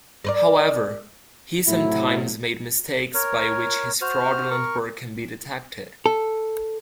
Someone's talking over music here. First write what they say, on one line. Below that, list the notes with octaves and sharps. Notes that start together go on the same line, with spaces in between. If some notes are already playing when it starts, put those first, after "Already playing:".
However, he sometimes made mistakes by which his fraudulent work can be detected.
A#4 B4 D5
A2 C3 F#3 E4
A#4 C#5
F#4 C5 F6
A#4 C#6
A4